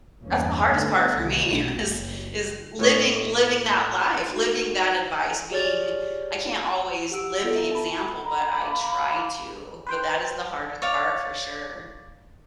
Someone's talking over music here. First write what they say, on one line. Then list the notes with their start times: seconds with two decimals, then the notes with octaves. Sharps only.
That's the hardest part for me, is is living living that life, living that advice, being I can't always live the example, but I try to, but that is the hardest part, for sure.
0.21 G1 E2 A#3 C#4
0.69 D3 G3 A3 B3
1.16 C2 D#3 G#3
1.47 B1
1.81 F#1
2.79 A2 C#5 D#5
4.29 D#4 F#4
5.50 G4 G#4 C#5 D5 F6 A6
7.11 G4 F#5 E6 D7
7.43 B3 F4 A4
7.55 E5 A#5
7.71 A5 B5
8.24 A#5 B5
8.59 A#3
9.87 B4 C5 G5
10.82 C#5 D5 F5